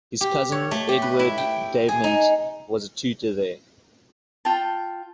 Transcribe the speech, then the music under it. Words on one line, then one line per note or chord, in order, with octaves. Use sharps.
His cousin, Edward Davenant, was a tutor there.
G4
C#5
A3
G4
B4
E4
G5
G#4
D#4
F4 G5 A5